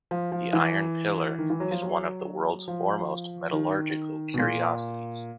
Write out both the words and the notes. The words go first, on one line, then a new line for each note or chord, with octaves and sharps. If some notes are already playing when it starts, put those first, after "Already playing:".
The iron pillar is one of the world's foremost metallurgical curiosities.
F3
F3
E3
D#3
E3
F#3
F3
F#3
F3
D#3
B2
A#2